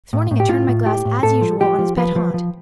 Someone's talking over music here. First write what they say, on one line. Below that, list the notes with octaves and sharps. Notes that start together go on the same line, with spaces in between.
This morning I turned my glass, as usual, on his pet haunt.
A2
A2
G4
A2 F4
A2
A2 G4
A2
A2 A4
F3
F3 G4
F3
F3 B4
F3
F3